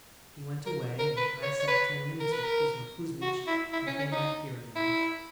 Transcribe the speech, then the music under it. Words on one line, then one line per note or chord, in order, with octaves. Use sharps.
He went away and I sat ten minutes with Kuzma Kuzmitch and came back here again.
A#4
A#4
B4
C#5
C#5
B4
A#4
B4
A#4
F#4
E4
E4
C#4
C#4
D#4
E4